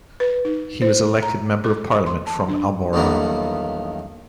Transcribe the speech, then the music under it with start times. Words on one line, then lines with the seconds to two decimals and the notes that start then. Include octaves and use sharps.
He was elected Member of Parliament from Almora.
0.20 B4
0.45 D#4
0.82 C5
1.22 A#5
1.65 A4
2.06 C6
2.27 A5
2.49 D4
2.93 B1 E2 G2 D#3 A#3 B3